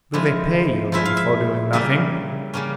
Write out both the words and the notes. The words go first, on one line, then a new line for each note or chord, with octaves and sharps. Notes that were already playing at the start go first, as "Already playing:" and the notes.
"Do they pay you, then, for doing nothing?"
F3 G#3 E4
F3 G#3 E4 E5
F5
E5
C#3 G3 A#3 C#4 E5
C#3 G3 A#3 C#4